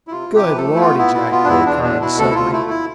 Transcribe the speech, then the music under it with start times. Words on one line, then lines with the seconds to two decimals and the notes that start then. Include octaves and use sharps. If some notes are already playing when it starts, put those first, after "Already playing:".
"Good Lord!" ejaculated Carnes suddenly.
0.07 E4
0.11 C3 F4
0.29 C3
0.35 G4
0.47 F3 B4
0.57 A4
0.63 A3
0.76 E4
0.80 B3 F4
0.98 B3 E4
1.15 B2 E4
1.31 B3 F4
1.44 D4
1.49 E2 E4
1.66 E2 D4
1.83 B2 D4
2.00 B2 E4
2.18 D2 A4
2.30 E4
2.35 D2 F4
2.52 A3 E4
2.70 E4